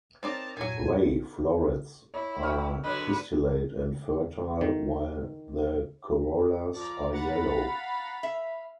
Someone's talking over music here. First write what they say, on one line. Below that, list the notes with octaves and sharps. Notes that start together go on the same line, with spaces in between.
Ray florets are pistillate and fertile while the corollas are yellow.
C4 D#4 A#4 C#5 D5 A5
E2 G2 A#2 D#3 F#3 G#5
E4 C#5
G5 C#6 F6
D3 F#3 B4 D#5
D#3
F3 D5 A#5
F5 F#5 A#5 B5 A6
E5